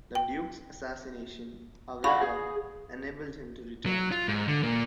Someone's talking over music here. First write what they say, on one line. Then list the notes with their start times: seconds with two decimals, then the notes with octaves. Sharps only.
The duke's assassination, however, enabled him to return.
0.15 G5
2.04 F#4 G#4 F5 F#5 B5 C#6
2.21 G#4
3.86 F#3
4.12 F4
4.28 G#2
4.48 D3
4.63 A#2 A#3